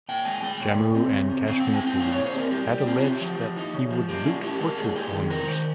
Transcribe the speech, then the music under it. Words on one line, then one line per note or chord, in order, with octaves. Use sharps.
Jammu and Kashmir Police had alleged that he would "loot orchard owners".
A#2 G5
G#3 G#5
G#3 G5
A#2
A#2
C4
C#3
C4
C4 F5
G#3 G5
G#5
C4 G5
A#2 F5
A#2 C#5
C5
C4 G#4 A#4
G3 G4
G3 G4
C4 F4
C#3 G4
F3
F3
D#4
C#3
F3
A#2 G4
C#4 F4
G#3 G4
G#3 A#4
A#2 G#4
G#3 G4
D#3
C3 A#4
D#3 C5